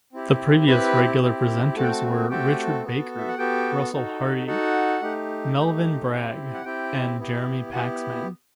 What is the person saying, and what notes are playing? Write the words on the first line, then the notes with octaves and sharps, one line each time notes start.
The previous regular presenters were Richard Baker, Russell Harty, Melvyn Bragg and Jeremy Paxman.
C4 E4 G4
C4 E4 G4 B4 B5
C4 E4 G4
A3 C4 F#4 A4 A5
G5
A4 A5
A3 C4 F#4 G4 A4 G5
B3 F#4 A4
E5
F#5
B3 F#4 G4 A4 G5
D#4 F#4 A4
D#4 F#4 A4 F#5
A3 D#4 G4
A3 D#4 G4
C4 E4 G4
F#5
C4 E4 G4 G5
B3 E4 G4
B3 E4 F#4 G4 F#5